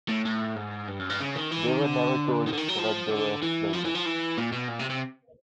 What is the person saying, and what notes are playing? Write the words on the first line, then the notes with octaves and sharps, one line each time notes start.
They were never told what they were building.
A2
A2
G#2
G2
F#2
G2
C#3
D#3
E3
D#3
D3
D#3
D3
D#3
F#3
F3
D3
E3
F3
E3
F3
E3
A#2
B2
A#2
C3
C3